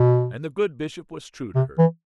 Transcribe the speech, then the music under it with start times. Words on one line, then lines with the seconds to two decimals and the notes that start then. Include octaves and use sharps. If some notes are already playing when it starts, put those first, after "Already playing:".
And the good Bishop was true to her.
Already playing: B2
1.55 C3
1.79 E3